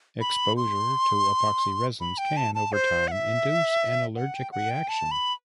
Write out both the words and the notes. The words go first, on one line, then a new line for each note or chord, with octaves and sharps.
Exposure to epoxy resins can, over time, induce an allergic reaction.
B5
C6
B5
G5
A5
A5
C5
F#5
E5
F#5
G5
F#5
G5
A5
B5